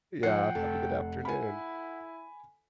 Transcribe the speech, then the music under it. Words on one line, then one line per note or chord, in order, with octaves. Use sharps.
Yeah, have a good afternoon.
F3 C5 F#5 G5 C7
F1 A4
E4 G#5 B5